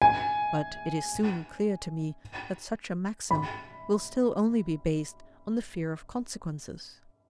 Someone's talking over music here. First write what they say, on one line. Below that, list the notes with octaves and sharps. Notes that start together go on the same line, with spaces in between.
But it is soon clear to me that such a maxim will still only be based on the fear of consequences.
G#5
B5